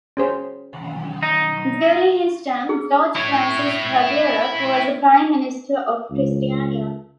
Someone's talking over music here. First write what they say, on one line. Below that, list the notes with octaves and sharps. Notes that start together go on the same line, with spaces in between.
During his term, George Francis Hagerup was Prime Minister in Christiania.
C#4 G#4 C5
D#4
G#4
E4 C#5
C#2